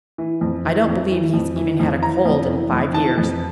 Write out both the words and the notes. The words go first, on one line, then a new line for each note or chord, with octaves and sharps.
I don't believe he's even had a cold in five years.
E3
F2
E3
F2
E3
F2
E3
F2
E3 A#5
F2
E3
F2
E3 A5
F2